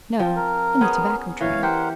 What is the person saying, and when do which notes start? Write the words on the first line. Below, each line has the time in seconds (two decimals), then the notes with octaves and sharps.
'No, in the tobacco trade.'
0.19 F3 C4
0.36 A#4
0.81 B3 C#4 G#4
1.41 E3 C#5 F5
1.63 G4 A#4 C5 F#5